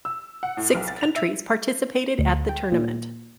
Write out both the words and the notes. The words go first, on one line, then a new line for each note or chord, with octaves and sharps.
Six countries participated at the tournament.
E6
F#5
A2
B1
A6
F7
E5
D2
G5
A#2